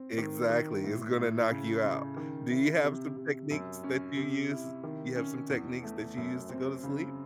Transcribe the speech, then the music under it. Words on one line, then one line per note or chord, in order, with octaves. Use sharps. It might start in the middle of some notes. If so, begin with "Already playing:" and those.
exactly, it's gonna knock you out. Do you have some techniques that you use you have some techniques that you use to go to sleep?
Already playing: C4
D#3
D#3
A2
A2
C#3
C#3
D#3
E4
C3
C3
F#2
C#4
C3
E4
D#3
C#4
E2
A3
F#2
C4
C#3